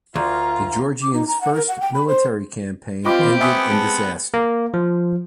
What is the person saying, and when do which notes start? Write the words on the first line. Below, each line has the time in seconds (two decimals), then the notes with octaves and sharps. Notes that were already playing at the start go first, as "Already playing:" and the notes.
The Georgians' first military campaign ended in disaster.
0.16 D2 F4 A#4 A#5
1.02 D6
1.14 D#4
1.28 A#5
1.41 F#5
1.54 A#4
1.68 F#5
1.81 G5
1.94 B5
2.08 C5
3.05 C4 F4 G4 D#5 B5 D6
3.41 B3 E5 G#5 D6 D#6
3.70 G#3 A5
4.34 A#3
4.74 F3